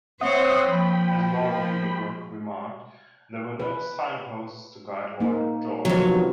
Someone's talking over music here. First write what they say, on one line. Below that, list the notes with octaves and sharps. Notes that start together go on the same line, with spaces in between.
As Lord Beaverbrook remarked, There were no signposts to guide Lloyd George.
C4 C5 C#5 E5 F#5 D#6
F3 A#3 G5 B5
B4
A#3 D#4
F2 C3 D#3 F#3 B3